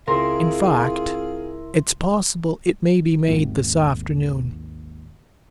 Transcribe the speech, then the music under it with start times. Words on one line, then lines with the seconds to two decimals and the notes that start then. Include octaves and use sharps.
In fact, it's possible it may be made this afternoon.
0.08 C#2 C4 E4 F4 G#4 A#4 C6
3.28 G#1 D#2